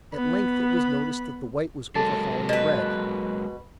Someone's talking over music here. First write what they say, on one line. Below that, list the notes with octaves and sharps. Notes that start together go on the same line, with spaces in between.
At length it was noticed that the white was overhauling the red.
B3 B5
F#3 G#3 A#3 A4 A5 A6
B2 B4